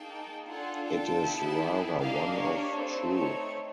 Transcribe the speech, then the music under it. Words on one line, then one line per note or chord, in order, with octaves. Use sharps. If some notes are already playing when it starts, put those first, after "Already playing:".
It is rather one of "truth".
Already playing: A#3 D#4 G#4 G5 A5
D4 F4 A4 F#5 G#5
G5 A5
B3 E4 G#4
A#3 D4 G4 D#5 F5
C#5
A3 C4 D#4
C#5